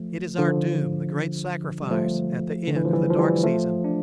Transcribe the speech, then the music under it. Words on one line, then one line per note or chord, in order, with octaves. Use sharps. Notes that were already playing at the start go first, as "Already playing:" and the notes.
It is our doom the great sacrifice--at the end of the dark season.
Already playing: F3 A3
D3 F3
G3
F3 A3
D3
E3
F3
E3 G3
F3
E3 G3
F3 A3
D4